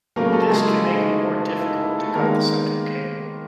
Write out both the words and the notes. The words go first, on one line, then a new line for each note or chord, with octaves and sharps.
This can make it more difficult to cut the central cable.
C#3 F#3 A3 A#3 A#4
A3 A4
G#3 G#4
E4
D#4
E4
D#4
E4
A3 A4
D#3 G#3 A#3 B3 A#4